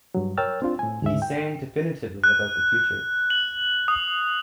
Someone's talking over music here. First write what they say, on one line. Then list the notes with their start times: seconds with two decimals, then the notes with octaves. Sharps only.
He sang definitively about the future.
0.15 G2 F#3
0.38 A#4 C#5 G5 E6 F6 A6
0.62 C4 D4 F4
0.79 A2 G#5
1.02 D2 G#2 E5
1.22 G5
2.24 F#6
3.30 F#7
3.88 D#6